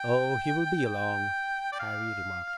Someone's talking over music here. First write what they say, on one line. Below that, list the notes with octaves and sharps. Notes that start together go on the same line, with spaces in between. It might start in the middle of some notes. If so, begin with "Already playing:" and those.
"Oh, he will be along," Harry remarked.
Already playing: G5
G5
D5
F5